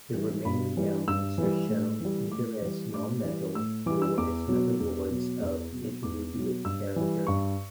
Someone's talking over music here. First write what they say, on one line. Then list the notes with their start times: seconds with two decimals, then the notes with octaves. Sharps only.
The remaining elements are shown either as nonmetals or as metalloids of intermediate character.
0.14 E3 G3
0.45 G2 B5
0.77 E3 G3
1.08 G2 E6
1.38 E3 G3
1.69 A2
2.00 E3 G3
2.31 A2 D6
2.62 E3 G3
2.94 A2 D6
3.24 E3 G3
3.55 A2 E6
3.86 E3 G3 D6
4.02 E6
4.18 E2 D6
4.48 B2 F#3
4.80 E2
5.11 B2 F#3
5.41 E2
5.72 B2 F#3
6.03 E2 D6
6.34 B2 F#3
6.65 G2 E6
6.96 E3 G3
7.27 G2 C#6